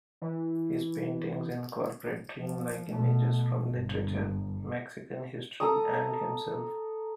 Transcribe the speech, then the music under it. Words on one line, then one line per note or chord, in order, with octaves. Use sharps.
His paintings incorporate dreamlike images from literature, Mexican history, and himself.
E3
F3
B2 A3
G1
A4 A#5 D#6